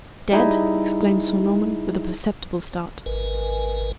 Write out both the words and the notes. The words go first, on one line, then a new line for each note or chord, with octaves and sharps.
"Dead!" exclaimed Sir Norman, with a perceptible start.
G3 D#4 E4 G#4
G#1 A#4 B4 G#5